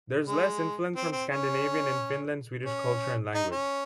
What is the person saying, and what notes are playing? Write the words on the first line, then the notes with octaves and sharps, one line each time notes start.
There is less influence from Scandinavian and Finland-Swedish culture and language.
G#3
C4
C4
C#4
C#4
D#4
C#4